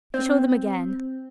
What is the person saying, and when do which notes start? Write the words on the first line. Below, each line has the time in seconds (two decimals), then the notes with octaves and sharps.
He showed them again.
0.14 C4